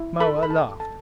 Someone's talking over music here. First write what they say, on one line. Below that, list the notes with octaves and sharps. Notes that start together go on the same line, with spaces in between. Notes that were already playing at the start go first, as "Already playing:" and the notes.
Moa laughed.
Already playing: E4
A4 B5
B5
A4 A5
A4 A5